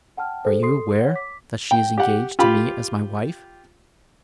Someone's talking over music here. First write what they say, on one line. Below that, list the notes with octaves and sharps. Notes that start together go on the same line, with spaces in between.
Are you aware that she is engaged to me as my wife?
F#5 G5 A5 F6
G#4 A4 C5 D#5
A4 C6 D#6 C7
C#5 F#5
D6 B6
G5
G4 F#5
F4 G4 B5